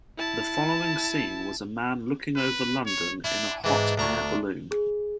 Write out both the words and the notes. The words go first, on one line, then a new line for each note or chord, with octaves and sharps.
The following scene was a man looking over London in a hot air balloon.
E4 A5
B4
C#5
D4 E4
G#2 E3 D4
D2 D4 A#5 C#6
G#4